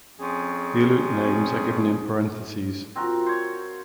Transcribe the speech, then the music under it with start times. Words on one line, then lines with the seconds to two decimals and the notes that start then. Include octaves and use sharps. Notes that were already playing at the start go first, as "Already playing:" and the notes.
The Aleut names are given in parentheses.
0.19 F2 C#4 G#4
2.96 C4 F4 F#4 A#4
3.26 C5 C#5